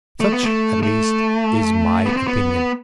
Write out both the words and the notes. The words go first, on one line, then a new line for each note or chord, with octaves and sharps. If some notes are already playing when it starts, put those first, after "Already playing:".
Such, at least, is my opinion.
A3
B3
A3
A3
B3
C4
B3